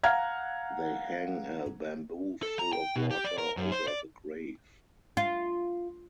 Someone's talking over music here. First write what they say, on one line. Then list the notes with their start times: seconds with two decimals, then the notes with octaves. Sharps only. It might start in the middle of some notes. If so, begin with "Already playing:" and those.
They hang a bamboo full of water over the grave.
0.04 F5 F#5 A#5 F6 G#6
2.43 A4
2.59 A#5
2.73 G5
2.96 B2
3.11 G4
3.24 D5
3.38 A#4
3.57 F#2
3.72 C5
3.88 D5
5.17 F4